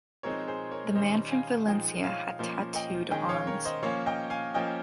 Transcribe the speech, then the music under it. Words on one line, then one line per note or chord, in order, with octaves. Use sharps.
The man from Valencia had tattooed arms.
F3 G#3 C4 D#4 A#4 C#5
G#4 C5
A#4 C#5
D#3 G3 C#4 C5 D#5
F5 G#5
A#2 F3 G#3 D#4 D#5 G5
C#5 F5
F3 A#3 C#4 C5 D#5
D#5 G5
D#3 G#3 C#4 D#5 G5
C#5 F5
A#4 C#5
C5 D#5
F3 A#3 C#4 C#5 F5
D#5 G5
F5 G#5
F3 A#3 C#4 D#5 G5